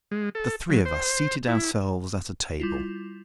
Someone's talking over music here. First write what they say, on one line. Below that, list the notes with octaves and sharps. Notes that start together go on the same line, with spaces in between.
The three of us seated ourselves at a table.
G#3
A4
F#3
C5
E4
G3 E4 F4